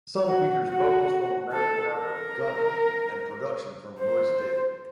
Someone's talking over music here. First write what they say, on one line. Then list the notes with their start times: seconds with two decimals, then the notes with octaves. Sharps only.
The song features vocals from American rapper Gunna and production from Royce David.
0.28 F#4
0.68 F#4
1.52 A4
1.93 A#4
4.00 C5